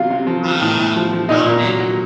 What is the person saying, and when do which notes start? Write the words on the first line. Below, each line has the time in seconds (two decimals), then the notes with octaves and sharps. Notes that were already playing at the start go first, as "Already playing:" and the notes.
Ah, not many.
Already playing: C3 F#3 F4 F5
0.10 C3
0.27 F3
0.44 F3
0.62 A2
0.78 A2
0.96 F3
1.13 F3
1.29 A#2 D#4 D#5
1.46 A#2
1.63 F#3
1.80 F#3